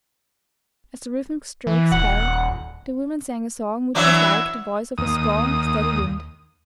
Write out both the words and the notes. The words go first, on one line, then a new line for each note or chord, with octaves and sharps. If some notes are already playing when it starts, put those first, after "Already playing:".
As the rhythmic strokes fell, the women sang a song which was like the voice of a strong, steady wind.
E3
D#1 F#5
E3 F#3 D4 E5
D#2 D#6